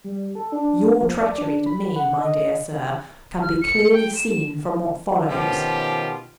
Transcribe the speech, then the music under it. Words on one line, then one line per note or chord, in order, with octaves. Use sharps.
Your treachery to me, my dear sir, can be clearly seen from what follows.
G3
A4
D4
F3
D5
D4
B5
F#5
D#5
F6
C#7
G5
E7
B2 D#3 F3 C#4 F4 G4